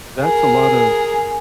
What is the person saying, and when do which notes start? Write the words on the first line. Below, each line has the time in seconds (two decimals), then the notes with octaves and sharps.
that's a lot of
0.22 G#4 A#4